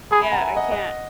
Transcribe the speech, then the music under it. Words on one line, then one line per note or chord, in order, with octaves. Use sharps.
yeah I can't,"
G#4 G#5 B5
G#5 B5
F#5 A#5
E5 G#5
D#5 F#5
D#5 F#5